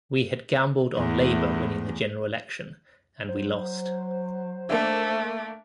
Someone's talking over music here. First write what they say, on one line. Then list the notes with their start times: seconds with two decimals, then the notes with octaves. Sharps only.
We had gambled on Labour winning the General Election and we lost.
0.96 E2 A2
3.29 F#3 C5
4.69 A3 A#3 D4 E5